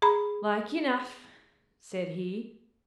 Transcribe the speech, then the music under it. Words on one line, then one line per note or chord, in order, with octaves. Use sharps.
"Like enough," said he.
G#4 A#5 B5